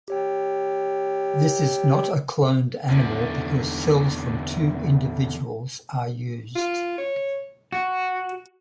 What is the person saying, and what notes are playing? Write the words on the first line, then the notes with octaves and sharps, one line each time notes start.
This is not a cloned animal because cells from two individuals are used.
G4 C#5 G5
E2 D3
F4
C#5
F#4